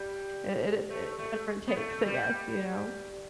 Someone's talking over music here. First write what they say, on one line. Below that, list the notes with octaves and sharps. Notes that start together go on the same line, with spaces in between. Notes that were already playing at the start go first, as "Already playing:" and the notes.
it it, whatever it takes, I guess you know,
Already playing: G3
A3
A3
B3
A3
G3